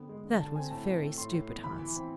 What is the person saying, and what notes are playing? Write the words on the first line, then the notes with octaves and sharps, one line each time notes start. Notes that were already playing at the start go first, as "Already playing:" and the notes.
'That was very stupid, Hans.
Already playing: D3 B3 C4
G#3
D3
D3 A5
C4 G#5
A2 A5
C4
A3
A2 C6
A2
B3
E3 B5
E3
C4